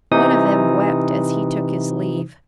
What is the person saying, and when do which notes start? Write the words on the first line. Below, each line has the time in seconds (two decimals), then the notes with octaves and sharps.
One of them wept as he took his leave.
0.11 C3 E3 D#4 D#6